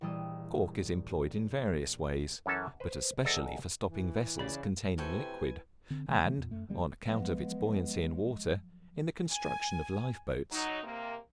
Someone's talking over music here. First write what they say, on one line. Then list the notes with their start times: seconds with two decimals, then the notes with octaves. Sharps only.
Cork is employed in various ways, but especially for stopping vessels containing liquids, and, on account of its buoyancy in water, in the construction of life boats.
0.01 A#1 E3 G3 D#5 E6
2.46 F#2 E3 C#4 A4 A5
2.80 B4 C5
3.25 E2 G#4 A4 D5 D#5
3.87 E3
4.39 C#3 C#4 D5 B5
4.98 C3 E4 F#4 A4 B4 G5 G#5 B5
5.90 D3 C4
6.09 D3 F3 G3 A3
6.24 D3 E3 F3 A3
6.38 E2 A#2
6.51 F#2 A3
6.69 D2 G3 A#3 B3
7.07 F3 F#3 G#3 B3
9.32 G#5
10.50 F#3 D#4
10.83 C3 A#3